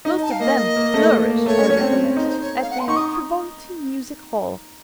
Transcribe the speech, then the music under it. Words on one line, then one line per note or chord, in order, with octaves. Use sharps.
Most of them flourished, I recollect, at the Frivolity Music Hall.
D#4 D#5
A5
F5
A#3 D#5
A#3
A3
A#3
A#3
A3 C#5
C#4
C#4
C4
D#4 C5
C5
C#5
F5
F#5
C6
D#4 C#6
D#6